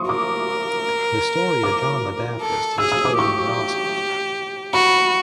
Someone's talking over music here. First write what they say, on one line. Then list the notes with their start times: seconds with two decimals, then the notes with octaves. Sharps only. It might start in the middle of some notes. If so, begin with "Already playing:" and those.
The story of John the Baptist is told in the Gospels.
Already playing: C6 C#6 D#6
0.09 A#4 D6
1.63 D6
2.41 A4
2.78 G#4 E6
2.92 D#6
3.05 D6
3.19 G4 C#6
4.73 F#4 B5